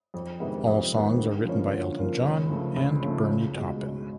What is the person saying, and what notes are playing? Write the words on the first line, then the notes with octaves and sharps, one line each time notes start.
All songs are written by Elton John and Bernie Taupin.
F2
C3 D#3 G#3 B3
F2
C3 D#3 G#3 B3
D3
F3 A#3 C#4
D3
F3 A#3 C#4
C#2
C#3 F3 A3
C#2
C#3 F3 A3
C#2
B2 G#3
C#2